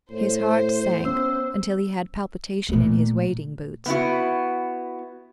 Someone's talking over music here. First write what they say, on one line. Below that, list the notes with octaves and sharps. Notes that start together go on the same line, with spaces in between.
His heart sank until he had palpitation in his wading-boots.
A2 C5
B3 C#4 E6
A#2 A3
B3 E4 F#4